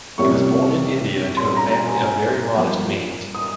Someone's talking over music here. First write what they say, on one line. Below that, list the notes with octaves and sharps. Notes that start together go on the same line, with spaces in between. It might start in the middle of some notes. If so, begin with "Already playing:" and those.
He was born in India to a family of very modest means.
F2 C3 G3 A#3 C#4 C#6
A#2 G3 C#4 C6
A#5
G#5
G#5
G2 F3 A#3
D#6